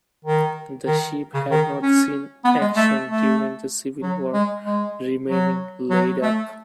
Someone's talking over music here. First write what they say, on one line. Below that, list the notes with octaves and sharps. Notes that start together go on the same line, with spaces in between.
The ship had not seen action during the Civil War, remaining laid up.
D#3
D#3
C#3
D#3
C#4
B3
G#3
A3
A3
F#3
G#3
G#3
F#3
F#3
A3